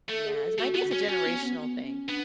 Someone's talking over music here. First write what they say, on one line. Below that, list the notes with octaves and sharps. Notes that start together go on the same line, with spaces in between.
yes, maybe it's a generational thing
A3 A4
G#4
A4
A3 F#4
B3
C#4
C#4 F#4
B3
B3
B3
C#4
B3 D4